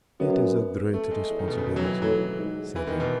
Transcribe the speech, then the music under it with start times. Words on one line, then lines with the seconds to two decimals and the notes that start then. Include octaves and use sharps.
"It is a great responsibility," said he.
0.20 F#2 B3
0.94 A3
1.11 G#3
1.29 E2
1.39 D#3
1.48 B2
1.57 C#3
1.66 F#2 D#3
1.76 F#3
1.84 E3
2.02 A2 F#3
2.38 G#2
2.76 E3
2.87 D#3
3.00 B2